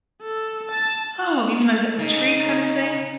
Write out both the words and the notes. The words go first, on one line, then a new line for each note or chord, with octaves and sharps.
Oh, you mean like a a treat kind of thing?
A4
A5 A6
C#3 D#4